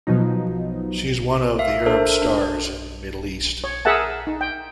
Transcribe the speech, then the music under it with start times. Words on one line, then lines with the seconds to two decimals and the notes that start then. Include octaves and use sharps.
She is one of the Arab Stars in the Middle East.
0.07 B2 F3 F#3 D#4
1.59 E5 F5
1.86 D4 A4 A#4 C5 E5
2.22 D4
3.64 C#5
3.85 G#4 A#4 E5 F#5 A5
4.27 D#4
4.41 G5